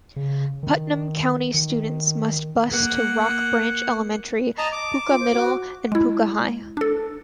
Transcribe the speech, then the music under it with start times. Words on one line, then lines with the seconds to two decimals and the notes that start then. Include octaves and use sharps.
Putnam County students must bus to Rock Branch Elementary, Poca Middle, and Poca High.
0.16 C#3
0.63 D#3
1.54 D#3
2.70 A#3 F#5
4.58 D#5 A5 A#5
4.72 D6
5.08 F4
5.20 C5
5.33 F#4
5.92 G#3 E4
6.77 D4 A4